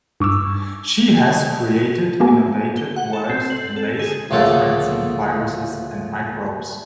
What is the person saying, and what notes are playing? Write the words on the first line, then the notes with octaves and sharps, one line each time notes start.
She has created innovative works in lace referencing viruses and microbes.
G2 C#6 D6 E6
G#3 A#3 B3 F#4 G#5
G7
F#5
A4
C4
F#7
A4
G#4
D2 C#3 F3 A#3 A4